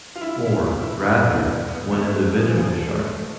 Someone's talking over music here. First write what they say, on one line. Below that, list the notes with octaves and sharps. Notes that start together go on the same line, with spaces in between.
Or, rather, one individual shark.
F4
E4
E4
F4
E4
D4
E4
E4
D4
B3
A3
G#3
F3
E3
F3
G#3
A3
G#3
A3